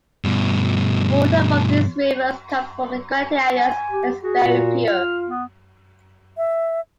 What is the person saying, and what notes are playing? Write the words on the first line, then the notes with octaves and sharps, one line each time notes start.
Water from these rivers come from the granitic areas and is very pure.
G2 B2
G#5
G4
F#4 G#4
A#2
F4 F6
B3
E5